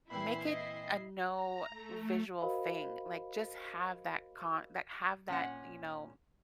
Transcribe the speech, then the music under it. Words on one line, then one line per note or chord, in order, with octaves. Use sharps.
"Make it a no visual thing," like, just have that con that have that, you know,
A#2 E3 C4 E4 B5 C7
D#5
A#5
A3
F#4 A#4 C5 D#5 F5 B5
A#2 C#4 F#5